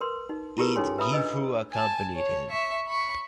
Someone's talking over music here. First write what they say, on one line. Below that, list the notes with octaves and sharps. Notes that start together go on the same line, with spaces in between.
Eadgifu accompanied him.
A#4 B4 C6
D#4
E4 F4 G4 G#4 A#4 B4
C#4 D#4 A4 C#5 G#5 C6
B4 E5 A#5 B5 D#6
D4 B4 D#5 E6
G#5 A5
C#5
E5 C#6
B5 C#6